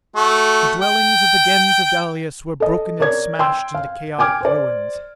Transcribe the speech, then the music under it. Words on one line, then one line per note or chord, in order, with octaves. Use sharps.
The dwellings of the Gens of Dalis were broken and smashed into chaotic ruins.
A3 F#4
G5
A4 D#5
A#4 C#5 D5 G#6
G5 C6 E6
F5
G5 G#5 D6 F6 G#6
C5 D5